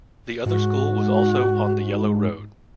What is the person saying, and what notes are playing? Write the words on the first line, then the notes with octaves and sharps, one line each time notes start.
The other school was also on the Yellow Road.
G#2 F#4